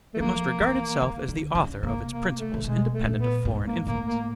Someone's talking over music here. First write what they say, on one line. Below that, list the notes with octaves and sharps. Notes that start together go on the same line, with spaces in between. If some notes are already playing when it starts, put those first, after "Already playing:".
It must regard itself as the author of its principles independent of foreign influences.
A3
F3 A#3
E3
D#3
D3
C#3
C3 A#3
A#3
A3
C3
B2 G#3
A3
A#2
B3
G#2
A#3
A2 A#3
A#3